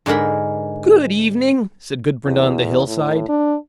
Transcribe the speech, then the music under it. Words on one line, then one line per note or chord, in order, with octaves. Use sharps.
'Good evening!' said Gudbrand on the Hill-side.
G#2 D3 G#3 A#4 B5
E2
A2
D4